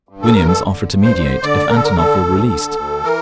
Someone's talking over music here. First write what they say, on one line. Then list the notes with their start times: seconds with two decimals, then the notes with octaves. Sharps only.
Williams offered to mediate if Antonov were released.
0.09 G2
0.22 A4
0.35 G2 A#4
0.47 A4
0.63 D3
0.89 G2
1.02 C5
1.16 D3
1.43 D3 D5
1.69 D3 A#4
1.76 A4
1.85 A#4
1.96 D3 A4
2.23 D2
2.50 D3
2.76 D2
3.04 E3 A#4